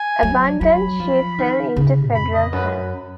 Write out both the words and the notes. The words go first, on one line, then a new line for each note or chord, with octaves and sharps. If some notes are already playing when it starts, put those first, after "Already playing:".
Abandoned, she fell into Federal hands.
Already playing: G#5
F#3
F#3 B5
F3
D#3
C#3
F2 B5
D#5
F#2 B4